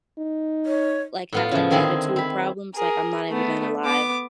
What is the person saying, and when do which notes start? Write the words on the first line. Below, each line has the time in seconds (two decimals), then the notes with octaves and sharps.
like, have, like, attitude problems, like, I'm not even gonna lie.
0.19 D#4
0.66 C#5
1.33 A2 B3 F4
1.51 C#3 F3
1.71 D3 D#3 C4 E4 G#4
2.16 C4 B5
2.75 G#4 A#4
3.29 A3 B3
3.85 B3 D6